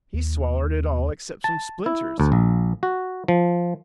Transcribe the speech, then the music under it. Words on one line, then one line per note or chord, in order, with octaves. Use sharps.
He's swallered it all except some splinters.
D#2
A5
E4
D2
A#1
F#4
F3